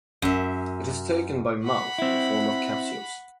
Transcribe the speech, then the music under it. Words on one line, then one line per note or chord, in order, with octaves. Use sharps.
It is taken by mouth in the form of capsules.
F#2 E5
F#5 B5
C4 E4